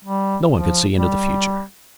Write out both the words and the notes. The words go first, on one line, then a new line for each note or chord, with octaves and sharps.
No one could see into the future.
G3
F3
G3